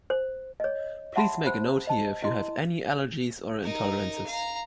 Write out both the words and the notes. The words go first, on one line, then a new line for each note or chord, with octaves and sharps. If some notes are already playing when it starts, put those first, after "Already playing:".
Please make a note here if you have any allergies or intolerances.
C5
C#5 D#5
E5 F#5 A5 B5 C6
C5 B5
D#5 A5
E4 D#5 C6
D#4 A#4
F5 A#5